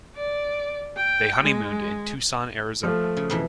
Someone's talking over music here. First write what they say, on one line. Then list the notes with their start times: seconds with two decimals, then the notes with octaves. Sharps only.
They honeymooned in Tucson, Arizona.
0.16 D5
0.97 G5
1.42 G#3
2.83 F3 A3
3.17 C#3
3.30 F2 B2 E3